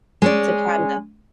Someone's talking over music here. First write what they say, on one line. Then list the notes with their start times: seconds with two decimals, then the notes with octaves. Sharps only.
to kinda
0.22 G#3 C#4 D5